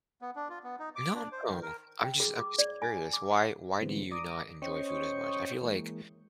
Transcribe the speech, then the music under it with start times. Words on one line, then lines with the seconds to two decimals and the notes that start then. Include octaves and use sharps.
No, no, I'm just I'm just curious, why why do you not enjoy food as much? I feel like
0.22 B3
0.36 D4
0.49 F4
0.64 B3
0.79 D#4
0.96 D6
1.15 D4
1.32 C5
1.46 D#3
1.62 A#4
2.04 G5
2.20 G#4
2.40 D6
2.59 D5
2.82 G#5
2.97 G#5
3.13 D6
3.31 F#5
3.81 D3 E3 G3 G#3 B3 C4
4.11 D5 A#5 D6 D#6
4.62 C#4 C5 C#5 D#5 G5 C#6
5.61 E3 G#3 A#3